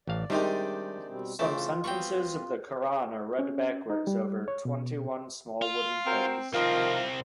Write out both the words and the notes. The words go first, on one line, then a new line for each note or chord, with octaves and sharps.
Some sentences of the Koran are read backwards over twenty-one small wooden pegs.
A1 D5 F5
C3 D#3 G3 G#3 D4 D#4 G4
B2 G3 C4
C#3 E3 A3 C4 F4 A5
G3 B3 C4 G5 C#6
C#4
D#4
G3
C#5
B2
F4
C4 F#4 A#4 C5
C2 D#3 F3 C4 F4 A#4